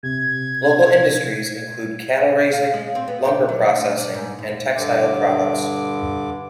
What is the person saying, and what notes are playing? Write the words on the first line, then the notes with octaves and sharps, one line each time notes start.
Local industries include cattle raising, lumber processing, and textile products.
C3 G#6
G#6
F5
G#3
C4
B3
G4
F#3
D2
D4
G#2
D#2
G2 D3 D6